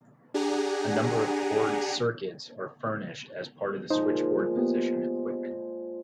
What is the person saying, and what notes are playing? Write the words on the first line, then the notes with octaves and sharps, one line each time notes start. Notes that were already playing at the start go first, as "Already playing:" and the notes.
A number of cord circuits are furnished as part of the switchboard position equipment.
D4 G4 G#4 F#5 G#5 A#5
A#2 F3 G#3 D#4 C5
A#3 B3 G4